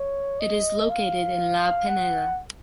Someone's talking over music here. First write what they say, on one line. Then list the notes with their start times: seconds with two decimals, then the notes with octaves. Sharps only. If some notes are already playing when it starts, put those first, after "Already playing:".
It is located in La Pineda.
Already playing: C#5
0.41 D#5
0.90 F5
1.89 F#5